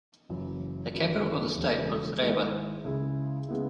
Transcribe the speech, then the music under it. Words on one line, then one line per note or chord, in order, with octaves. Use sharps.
The capital of the state was Rewa.
F#1 F#2 E3
G#1 F#2 F#3 E4
E1 E2 C#3 F#3
G#1 G#2 G#3 E4
C#2 C#3 G#3 E4 G#4
C#3 G#3 B3 E4